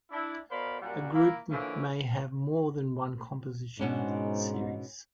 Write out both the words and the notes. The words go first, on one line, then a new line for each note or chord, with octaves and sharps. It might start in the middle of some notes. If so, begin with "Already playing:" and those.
A group may have more than one composition series.
D4 E4
B2 A#4 C5 D5 F5 B5
F#2 A#2 G3 A#4 D5 F#5
A#3 E4
D3 E3 F3 A#3 C#4 E4
G#2 B2 C#4 D4